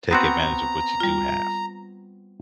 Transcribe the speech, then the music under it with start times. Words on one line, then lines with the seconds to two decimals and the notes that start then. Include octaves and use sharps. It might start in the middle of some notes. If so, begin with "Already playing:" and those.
take advantage of what you do have.
0.11 B3 C4 F#4 A#5
1.00 G3 F4